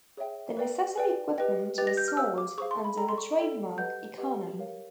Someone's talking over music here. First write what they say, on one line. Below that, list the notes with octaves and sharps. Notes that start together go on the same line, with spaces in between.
The necessary equipment was sold under the trademark "Econom".
G#4 C#5 E5 G5
B4 D5 G5
B4 D5 G5
G4 B4 D#5 G5
G4 B4 D#5 G5 A6
A#6
G6
F6
G#4 C5 F5 E6
D6
G#4 C5 F5 C#6
C6
B5
A4 D5 G5 A#5
C6
C#6
A4 D5 G5
G4 B4 D#5 F#5 G6
G4 B4 D#5 F#5
A#4 C#5 F5